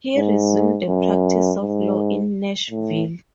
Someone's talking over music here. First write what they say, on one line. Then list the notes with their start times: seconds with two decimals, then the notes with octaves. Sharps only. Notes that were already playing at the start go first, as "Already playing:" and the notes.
He resumed the practice of law in Nashville.
0.15 G#2
0.88 F#2
1.61 G#2
2.70 A2